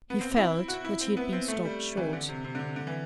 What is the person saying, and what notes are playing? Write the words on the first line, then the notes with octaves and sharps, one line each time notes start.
He felt that he had been stopped short.
B3
C4
E4
F#4
E4
C4
B3
C4
A3
G3
E3
D3
C3
C3
D3
C3
D3
E3